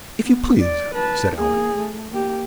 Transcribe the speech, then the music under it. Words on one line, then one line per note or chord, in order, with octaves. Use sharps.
"If you please," said Allan.
B3
D5
B4 A5
A#3 G#4
A3
A#3 G4